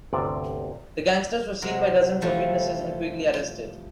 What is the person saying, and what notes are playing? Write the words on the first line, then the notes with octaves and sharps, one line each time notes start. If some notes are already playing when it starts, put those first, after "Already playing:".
The gangsters were seen by dozens of witnesses and quickly arrested.
G1 D2 C3 D5
C3 F#3 A#4
E3 F3 G3 A3